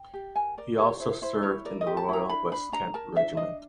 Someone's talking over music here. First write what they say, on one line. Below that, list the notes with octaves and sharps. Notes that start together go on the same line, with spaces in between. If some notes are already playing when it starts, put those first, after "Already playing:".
He also served in the Royal West Kent Regiment.
Already playing: G5
G4
A#4 G#5
A#4 D5
G4 C#5
E4 C5
E4 C5
E4 C#5
A#4 D5
D#5
G4
A5
E4 A#5
D4 B5
D4 B5
D4 A#5
A#4 A5
D4 E5
D4 D#5